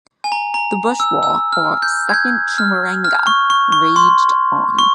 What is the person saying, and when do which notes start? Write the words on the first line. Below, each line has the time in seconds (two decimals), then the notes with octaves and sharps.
The Bush War or "Second Chimurenga" raged on.
0.24 G#5
0.32 A#5
0.54 A#5
1.00 E6
1.23 E6
1.53 F6
1.82 G6
2.09 G#6
2.14 G6
2.58 F6
3.04 F6
3.27 C#6
3.50 C#6
3.72 C#6
3.96 C6
4.79 C#6